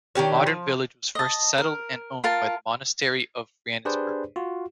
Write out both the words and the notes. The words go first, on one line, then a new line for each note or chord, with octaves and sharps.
The modern village was first settled and owned by the Monastery of Frienisberg.
D#3 D4 G4 C#5
F3
D#5 A5
A#4
F4 A#4 A5
D4 G4 G#4 B4 C5 D5
F4 F#4